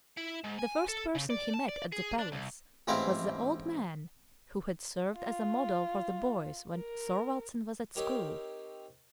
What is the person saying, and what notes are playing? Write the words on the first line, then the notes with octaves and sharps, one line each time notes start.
The first person he met at the palace was the old man who had served as a model for the boys when Thorwaldsen was at school.
E4
G#2
G#5
A4
C#3
D5
A5
D5
G#4
D4
C2
A1 G#2 C4 E4 F5
F4
A#4
C4 D#4 G4 A#4 C#5